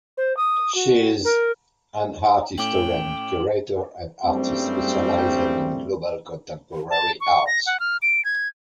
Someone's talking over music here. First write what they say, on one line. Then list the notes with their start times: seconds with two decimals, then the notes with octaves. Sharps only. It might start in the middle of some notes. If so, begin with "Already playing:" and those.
She is an art historian, curator, and artist specializing in global contemporary art.
0.17 C5
0.37 D#6
0.75 F#4
1.24 A#4
2.58 A2 A3 C#4 G5 D6 F#7
4.25 F#1 G2 C#3 G3 A3 C4
6.90 A5
7.21 C#6
7.47 A#6
7.66 F#5
7.80 F6
8.02 D7
8.25 G#6